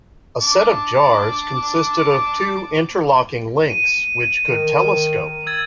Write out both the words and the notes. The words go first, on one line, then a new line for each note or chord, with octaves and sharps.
A set of jars consisted of two interlocking links which could telescope.
A5 D6
D#7
D#3
E6 G#6 A6